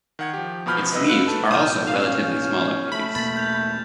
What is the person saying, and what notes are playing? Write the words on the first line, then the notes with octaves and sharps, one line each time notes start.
Its leaves are also relatively smaller leaves.
D#3 F#5 G#6
F3 G4
E2 B2 F3 B5 F6 G6
C2 B4 D#5 E6
F5 B5 E6 F#6 C#7 D7
A3 A4 B4
A1 B2 D#6 F6 G6 E7
C#4 F5
A3 B5
E2 B2 A#3 B5 A6
G6 F7